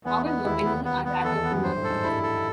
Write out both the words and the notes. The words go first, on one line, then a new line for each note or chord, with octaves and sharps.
However, many are rather poor.
E2 E3 B3
B3
D#2 D#3 E4
B3
B3
B3
E2 E3 A4
B3
F#2 F#3
G2 G3 C5
A2 A3
A4
G#2 G#3
G2 G3 E4
A4